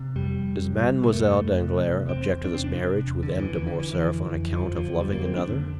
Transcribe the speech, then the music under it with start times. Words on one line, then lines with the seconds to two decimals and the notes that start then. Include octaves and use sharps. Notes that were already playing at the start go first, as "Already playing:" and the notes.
"Does Mademoiselle Danglars object to this marriage with M. de Morcerf on account of loving another?"
Already playing: C3
0.15 F2 G3
0.39 F2
0.65 C3
0.88 C3
1.04 A#3
1.13 F2 A3
1.37 F2
1.61 C3
1.86 C3
2.09 E2 C4
2.33 E2
2.44 D4
2.54 C3 C4
2.64 D4
2.82 C3
3.07 E2
3.23 D3
3.30 E2
3.39 E3
3.55 D3 E3
3.67 D3
3.79 D3 E3
3.91 E3
4.04 F2
4.28 F2
4.52 D3 F3
4.76 D3 F3
5.00 F2 G3
5.12 A#3
5.24 F2 C4
5.37 D4
5.49 D3